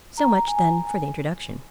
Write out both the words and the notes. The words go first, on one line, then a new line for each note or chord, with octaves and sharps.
So much, then, for the introduction.
A#5
G#5